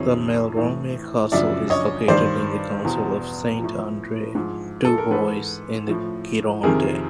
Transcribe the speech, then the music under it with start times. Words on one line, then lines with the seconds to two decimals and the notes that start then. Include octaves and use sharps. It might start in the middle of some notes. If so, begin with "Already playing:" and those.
The Malromé Castle is located in the council of Saint-André-du-Bois, in the Gironde.
Already playing: F2 C3 D#3 C#5
0.57 A2 E3
1.32 F#2 C#3 F3 D5 E5
1.70 C#5 D#5
2.08 G2 D#3 C5 D5
2.84 E2 B2
3.60 A2 F3
4.35 G#2 F3
4.85 A4
4.98 A#4
5.11 G#2 E3 A4 B4
5.88 A2 F3
6.63 F2 C3 D#3 G#4 A#4